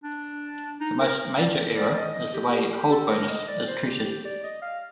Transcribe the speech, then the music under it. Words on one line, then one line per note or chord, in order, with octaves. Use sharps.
The most major error is the way Hold Bonus is treated.
D4
D#4
A#4
D5
D5
D#5
D#5
G4
G4
G4
A4
A#4
D#5
D5
C5
G4
G4
D5
D#5
F5